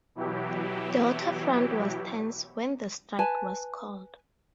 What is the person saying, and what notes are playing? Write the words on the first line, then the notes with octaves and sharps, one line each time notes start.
The waterfront was tense when the strike was called.
B2 E3 F#3 E4 G4
B4 G#5 A5